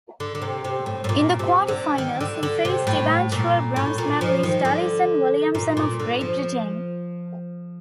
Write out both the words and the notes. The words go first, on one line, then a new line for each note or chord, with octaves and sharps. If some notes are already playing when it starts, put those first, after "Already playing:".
In the quarterfinals, He faced eventual bronze medalist Alison Williamson of Great Britain.
D3
D3
C3
C3
A2
A2
A#2
C3
D3
D#3
D3
D3
C3
A2
A#2
A2
A#2
F3
D#3
D3
A#2
A#2
D3
F3